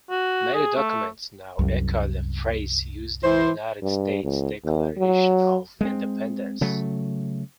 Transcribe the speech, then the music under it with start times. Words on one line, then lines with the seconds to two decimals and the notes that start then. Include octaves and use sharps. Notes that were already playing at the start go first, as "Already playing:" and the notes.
Many documents now echo the phrase used in the United States Declaration of Independence.
0.10 F#4
0.54 G#4
0.76 A3
1.59 C2 F#2 F#3
3.24 E3 C5
3.82 G2
4.23 C#2
4.64 D#2
4.97 F#3
5.81 G#3 A3 C4
6.61 C#3 F#3 A3